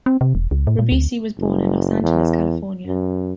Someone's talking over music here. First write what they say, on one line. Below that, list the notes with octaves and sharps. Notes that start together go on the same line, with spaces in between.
Ribisi was born in Los Angeles, California.
C4
C3
E1
C#2
A2
A#2
D2
F#1
E2
F#2